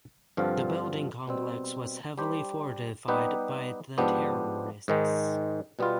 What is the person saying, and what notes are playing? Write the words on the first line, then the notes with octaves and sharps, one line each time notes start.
The Building Complex was heavily fortified by the terrorists.
G2 D3 F3 C4 F4
B2 G3 C4
G3 D4 G4 C5
G3 B3 D#4 G4 B4
G#2 F3 B3 D4 G4
G#2 D#3 G#3
B2 G3 B3 F4